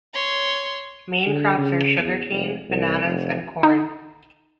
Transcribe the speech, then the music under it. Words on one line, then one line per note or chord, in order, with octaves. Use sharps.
Main crops are sugar cane, bananas and corn.
C#5 C6
D3
C#3
E2
F1
C2
F1
D#4